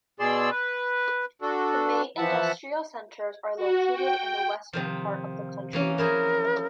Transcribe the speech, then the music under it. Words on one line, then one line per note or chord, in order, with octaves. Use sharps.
The main industrial centers are located in the western part of the country.
B2 G#4 D5 C6 E6
B4
D4 F#4 A4
E3 F3 E5 F#5 A5
F#4
G5
C3 D#3 F3
E3 A#3 C#4
F3 E4 G#4 A#4